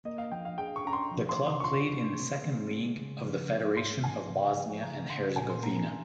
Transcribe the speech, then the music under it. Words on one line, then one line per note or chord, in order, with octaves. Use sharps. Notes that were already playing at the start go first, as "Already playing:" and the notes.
The club played in the Second League of the Federation of Bosnia and Herzegovina.
A#3 D#5
F5
F3 G5
F5
G#4 G5
C#6
C#4 A#5
C6
F3
C6
C3
C6
C#6
F4 C6
C3
C4
G#3
G#3
C#3
F3
G#3
G#2 C6
G#2 G#5
C#3
F3
C#3 A#5
C#3 C6
A#2 G#5
C6
A#3 A#5
A#5